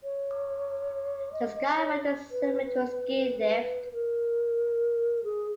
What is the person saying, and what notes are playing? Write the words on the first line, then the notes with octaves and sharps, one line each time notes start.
The Skyride is similar to a ski lift.
C#5
D#5
D#5
C#5
B4
B4
A#4
G#4